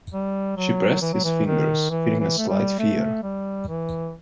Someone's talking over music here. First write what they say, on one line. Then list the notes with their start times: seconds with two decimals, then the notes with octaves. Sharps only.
She pressed his fingers, feeling a slight fear.
0.13 G3
0.57 F#3
1.02 E3
1.13 F#3
1.24 E3
1.46 D#3
1.90 E3
2.20 E3
2.38 A3
2.49 G3
2.79 A3
3.23 G3
3.68 E3